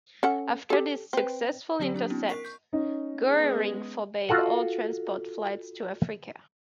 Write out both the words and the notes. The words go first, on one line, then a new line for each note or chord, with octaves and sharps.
After this successful intercept, Goering forbade all transport flights to Africa.
C#4 A4 F#5
G4 A4
C4 B4
D3 F#3 C4 G4 D5
F#3 D4 G4
B3 C#4 D#4 F4
A#4 C#6 B6 C7
C#6 G6
C#4 D#4
G#3 B3 G#4
F4 F#4 A4 F#5